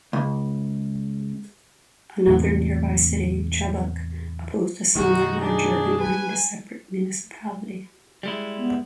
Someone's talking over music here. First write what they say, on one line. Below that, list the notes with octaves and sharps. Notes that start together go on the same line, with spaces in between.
Another nearby city, Chubbuck, opposed a similar merger and remained a separate municipality.
C#2
E2 A2 C3
B1 F#2 D#3 D#4 F#4
D4 G#4
B4 G#5
G3 G#3 E4
B3